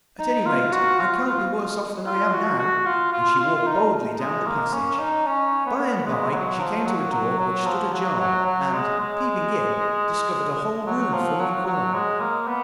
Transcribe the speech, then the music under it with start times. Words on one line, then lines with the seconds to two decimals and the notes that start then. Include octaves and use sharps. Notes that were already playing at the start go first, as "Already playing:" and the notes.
At any rate, I can't be worse off than I am now.' And she walked boldly down the passage. By-and-by she came to a door which stood ajar, and, peeping in, discovered a whole room full of corn.
0.19 D#4
0.46 F4
0.72 F#4
0.99 F4
1.26 F4
2.06 F4
2.33 F#4
2.59 F#4
2.86 F4
3.13 F4
3.40 F4
3.55 F4
3.67 D#4
4.19 G#3
4.46 A#3
4.73 C#4
4.99 D#4
5.26 C#4
5.66 B3
6.06 G#3
6.33 F#3
6.59 F3
6.86 F#3
7.13 F#3
7.40 F#3
7.66 F3
7.94 F#3
8.20 F#3
8.46 F#3
8.73 G#3
9.00 G#3
10.87 F#3
11.13 F3
11.40 F#3
11.67 F#3
11.94 G#3
12.20 A#3
12.48 B3